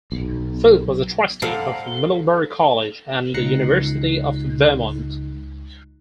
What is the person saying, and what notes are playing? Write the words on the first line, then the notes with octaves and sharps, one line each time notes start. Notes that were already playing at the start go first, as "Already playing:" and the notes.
Foot was a Trustee of Middlebury College and the University of Vermont.
B1
A4 C5 D5 F5 F#5 A#5
C#2 D#4 F#6 A#6 C7 C#7